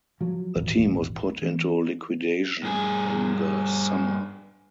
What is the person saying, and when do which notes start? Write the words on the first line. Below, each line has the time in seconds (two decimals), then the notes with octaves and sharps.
The team was put into liquidation in the summer.
0.21 F3 F#3
0.56 D#1 G#1 E2
1.42 E3
2.63 G2 G#4